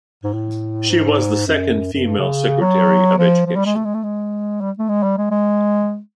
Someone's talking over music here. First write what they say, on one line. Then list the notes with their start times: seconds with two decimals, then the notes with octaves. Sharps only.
She was the second female Secretary of Education.
0.24 G#2
0.34 A2
0.90 G#2
1.47 F#2
1.93 F#2
2.05 G2
2.18 C#3
2.61 F#3
3.19 F3
3.46 F3
3.56 G3
3.66 G#3
3.75 A3
3.85 G#3
3.95 A3
4.03 G#3
4.61 G3
4.79 A3
4.89 G#3
5.03 G3
5.18 G#3
5.31 G#3